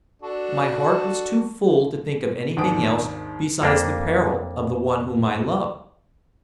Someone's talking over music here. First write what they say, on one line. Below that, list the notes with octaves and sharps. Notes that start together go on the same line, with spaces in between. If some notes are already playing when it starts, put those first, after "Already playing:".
My heart was too full to think of anything else besides the peril of the one whom I loved.
D4 F#4 A4
G#1 D#2 D4 G5 D#6 D7
F2 A#3 D4